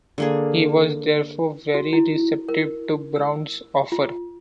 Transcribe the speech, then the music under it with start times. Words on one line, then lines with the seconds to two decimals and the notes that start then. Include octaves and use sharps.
He was therefore very receptive to Brown's offer.
0.18 D3 A#3 G#4
1.74 F#4
1.93 E4
2.49 A#4
3.16 E6
3.92 F4